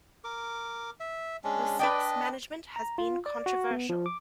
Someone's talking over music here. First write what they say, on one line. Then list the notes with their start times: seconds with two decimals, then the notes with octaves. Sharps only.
Losique's management has been controversial.
0.24 A#4 D6
1.00 E5
1.44 G#3 C#4 D4
1.79 D4 B4 D5 D#5 G5
2.76 A#5
2.98 F4
3.26 D5
3.46 F#4
3.71 B3
3.89 F3
4.06 D6